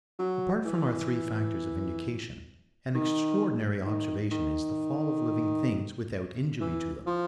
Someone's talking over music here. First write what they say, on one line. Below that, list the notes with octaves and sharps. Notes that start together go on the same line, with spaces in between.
Apart from our three factors of indication, an extraordinary observation is the fall of living things without injury to them.
F#3
E3
D#3
D#3
D#3
E3
F3